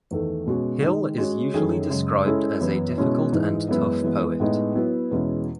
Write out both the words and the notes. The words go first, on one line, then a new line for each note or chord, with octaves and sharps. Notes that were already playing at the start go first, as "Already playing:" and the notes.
Hill is usually described as a difficult and tough poet.
E2 D#3 A3
B2 G#3 C#4 F#4
D#3 G#3 D#4
G#3 C#4 F#4 C#5
F#2 D#3 A3 C#4 G#4
F#2 C#3 G#3
G#3 C#4 E4 A4
F#2 E3 B3 E4
B2 G#3 C#4 E4
G#2 E3 G#3 D#4
F#2 E3 G#3 B3 E4
E3 G#3 B3
A2 G#3 B3 D#4
F#3 B3 E4
E2 B2 G#3 C#4 E4